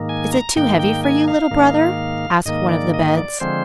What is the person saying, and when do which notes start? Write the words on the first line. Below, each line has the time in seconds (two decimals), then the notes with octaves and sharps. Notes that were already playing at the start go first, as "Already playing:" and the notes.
'Is it too heavy for you, little brother?' asked one of the beds.
Already playing: G#2 D#3 A#3
0.09 G#5
0.33 A#5
0.56 G#2 D#3 A#3 G5
0.79 G5
1.04 G#5
1.28 F5
1.51 G#2 D#3 A#3
2.45 G#2 D#3 A#3 D#5
2.69 D5
2.94 D#5
3.17 D5
3.40 D3 F3 G#3 C4 C5